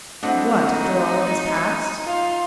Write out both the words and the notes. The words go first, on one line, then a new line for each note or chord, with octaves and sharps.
"What, after all that has passed?"
A3 C4 D4 E4 F#4 D#5 F#5
D#4
F4 F5 C6